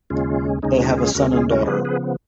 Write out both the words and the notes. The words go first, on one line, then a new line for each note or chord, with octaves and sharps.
They have a son and daughter.
D#2 C#3 G#3 C#4 F4
D#2 C#3 G#3 C#4 D#4
D#4 F#4
F4 G#4
D#2 C#3 G#3 C#4 F#4 A#4
F4 G#4
F#4 A#4
C#3 F3 B3 G#4 B4
G#4 B4